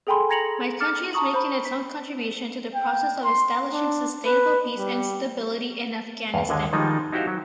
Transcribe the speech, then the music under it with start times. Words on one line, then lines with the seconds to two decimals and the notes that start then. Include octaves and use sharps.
My country is making its own contribution to the process of establishing sustainable peace and stability in Afghanistan.
0.07 G#4 A4 G5 G#5 B5 C6
0.29 A#5 G#6 A#6 C#7 F7 F#7
0.80 D6 F6 A6 C#7 E7
1.13 A5 A#5 C#6 D#6 F#7
1.34 C5 B5
1.65 B6
2.75 G5
3.25 C6
3.73 D4
4.26 B4
4.78 G3
6.34 E2 G2 F5
6.49 D#2 D3 G#3
6.73 D#3 F3 G3 G#3 D#4
7.12 D#4 E4 F#4 G4 C5 F5
7.27 F#3